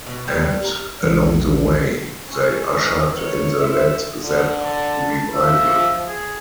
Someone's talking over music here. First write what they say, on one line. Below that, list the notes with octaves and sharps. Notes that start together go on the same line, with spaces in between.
And, along the way, they ushered in the Led Zep revival.
B2
G3
A#4
A#1 E3 G#3 D4
C#4 C5
D#3 E3
C#5
B3 C5 E5
D3
A5
F3 E5
G#4